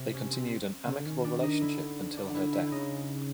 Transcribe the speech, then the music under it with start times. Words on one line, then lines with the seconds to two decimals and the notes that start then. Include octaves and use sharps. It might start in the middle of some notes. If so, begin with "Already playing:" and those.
They continued an amicable relationship until her death.
Already playing: C3
0.14 C#4
0.33 C4
0.86 C#3
0.97 D3
1.06 D#3 C#4
1.24 D4
1.43 D#4
1.61 D3 E4
2.17 D4
2.35 E4
2.53 E4
2.72 C#3 D#4